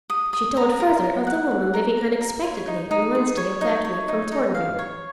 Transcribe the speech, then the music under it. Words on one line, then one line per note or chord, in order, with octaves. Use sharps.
She told further of the woman leaving unexpectedly on Wednesday of that week from Thornville.
D#6
D#6
A#5
A#4
A#4
F#5
F#5
A#4
A#4
A#4
C#5
D#4
D#4
G#4
C#5
D#4
C#5
D#4
D#4
F5
C#5